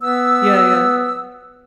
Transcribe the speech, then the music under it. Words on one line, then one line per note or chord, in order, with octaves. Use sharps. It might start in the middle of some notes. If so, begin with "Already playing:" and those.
Yeah, yeah,
B3 B4 E6